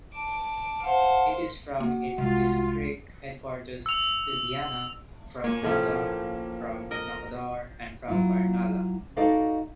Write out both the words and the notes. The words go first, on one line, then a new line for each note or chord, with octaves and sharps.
It is from its district headquarters Ludhiana, from Moga, from Nakodar, and from Barnala.
A5 D6
C5 F5 F#5 A5
A#3 F#4
C2 G#3 F4
E6 F7
A#3 C#5 G#5
A2 F3 C#4
A#4 D#5
F#3 E4 F4
D#4 F#4 A4 D5 D#5 F5